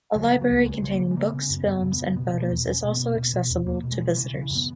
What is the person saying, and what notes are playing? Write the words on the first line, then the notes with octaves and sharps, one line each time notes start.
A library containing books, films, and photos is also accessible to visitors.
C#3 F#3
C#3
F#3
C#2
A#3
C#2 G#3
C#3 G#3
A#3
C#3
G#3
C#3 A#3
B3
C#3
C#4
F#2
F#2 B3
C#3
B3
C#3
B2 B3
B2
A#3
E2
E2 C#4
B2
B3
B2
B2
B2
E2
E2 A#3
B2
G#3
B2
C#3 E3
C#3
E3
F#2
B3